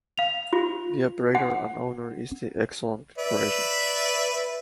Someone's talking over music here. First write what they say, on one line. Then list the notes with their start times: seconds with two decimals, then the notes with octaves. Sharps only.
The Operator and Owner is the Exelon Corporation.
0.18 F5 F7
0.53 F4
1.35 F#5
3.18 B4 D5 E5